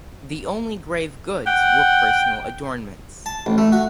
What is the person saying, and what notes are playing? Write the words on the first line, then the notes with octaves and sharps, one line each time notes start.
The only grave goods were personal adornments.
F#5 G5
A5
A1
A3
F#4